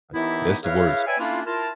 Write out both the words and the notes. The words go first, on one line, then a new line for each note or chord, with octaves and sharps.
Like, that's the worst.
D#2 E3 B3 D#4 E4
E4 G#4 A#4 B4 C#5 F5
B4 C#5 D5 E5 G5 G#5
A3 A#3 C#4 D4 E4 F4
E4 F4 A#4 A5